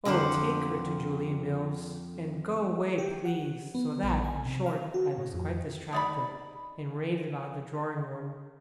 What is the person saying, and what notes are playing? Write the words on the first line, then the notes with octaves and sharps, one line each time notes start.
Oh, take her to Julia Mills, and go away, please! So that, in short, I was quite distracted, and raved about the drawing-room.
F2 D3 D4 C5 F#5
G4
F#5
B3
A#1
G#5
C3
F5
F#4
A2
F2
D#4 D5 B5